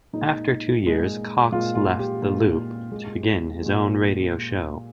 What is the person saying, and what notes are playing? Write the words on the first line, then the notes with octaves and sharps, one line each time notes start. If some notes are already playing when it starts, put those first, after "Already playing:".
After two years, Cox left The Loop to begin his own radio show.
A#2 G#3 D#4
A#2 G#3
A#2 G#3 F4
F4
G4
A#2 G#3
A#2 G#3
A#2 G#3